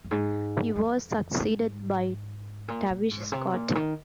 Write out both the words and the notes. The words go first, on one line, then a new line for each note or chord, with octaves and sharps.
He was succeeded by Tavish Scott.
F2
G#2
F2
G#2
A#2
A#2
G#2
C3
A#2
D#3